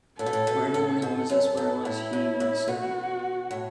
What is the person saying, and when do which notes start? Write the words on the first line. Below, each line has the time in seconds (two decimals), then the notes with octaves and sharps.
"Wherever the money was, that's where I was," he once said.
0.19 A2 A4
0.26 B2
0.33 A2
0.47 B2
0.74 A2
1.02 G#2 A4
1.30 F#2
1.44 A4
1.57 G#2
1.85 A2 E4
2.13 A2
2.40 A2
2.68 B2 F#4
3.51 A2